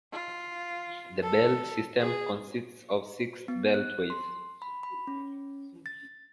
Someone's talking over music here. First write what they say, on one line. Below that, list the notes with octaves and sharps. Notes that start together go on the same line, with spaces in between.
The Belt System consists of six beltways.
F4
A4
G#4
B3
F#6
C6
B5
B5
C#4
A6